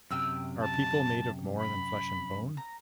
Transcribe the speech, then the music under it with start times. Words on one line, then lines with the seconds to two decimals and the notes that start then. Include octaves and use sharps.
Are people made of more than flesh and bone?
0.11 F#2 C3 G5 E6 F6
0.61 A5
1.57 B5
2.57 A#5